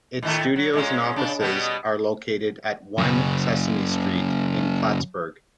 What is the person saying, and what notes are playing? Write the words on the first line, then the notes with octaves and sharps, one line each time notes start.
Its studios and offices are located at One Sesame Street in Plattsburgh.
A2 D#3 A3
F#3
A#2 G#3 C#4
C#3 D4
B2 G3 B3
F#2 C#3